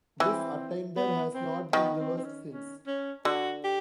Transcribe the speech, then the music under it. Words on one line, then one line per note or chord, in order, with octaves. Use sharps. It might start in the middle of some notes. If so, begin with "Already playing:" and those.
This attainder has not been reversed since.
E3 C4
B3
C4
D#3 B3
C4
C4
C#4
C#4
C#4
D3 F#4
G4